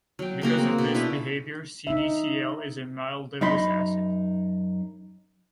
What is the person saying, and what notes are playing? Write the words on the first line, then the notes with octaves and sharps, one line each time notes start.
Because of this behavior, CdCl is a mild Lewis acid.
F#3 G5
C#3 A#3 F#4 G#4
A#3 C4
B2
D4 E4 F4 B4
D#4 E5
F#2 D#4 B5 C6